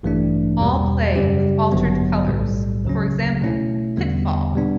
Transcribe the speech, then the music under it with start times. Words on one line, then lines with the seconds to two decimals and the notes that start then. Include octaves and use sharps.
All play with altered colors - for example, Pitfall!
0.03 A1 G2 E3 A3 D4
0.59 E2 B2 G3
1.16 F#2 C#3 G3 C#4 G4
1.72 A1 G2 D3 F#3 B3
2.28 B1 A2 G3
2.85 D2 C#3 F#3 C#4
3.41 B2 A3 C#4 E4
3.97 E2 D3 G3 B3
4.54 B2 G3 B3 D4